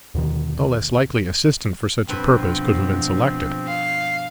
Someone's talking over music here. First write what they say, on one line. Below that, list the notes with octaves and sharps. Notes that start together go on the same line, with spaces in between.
No less likely assistant for such a purpose could have been selected.
D#2 B2 D3 D#3
G2 B2 F3 C4 B4
F5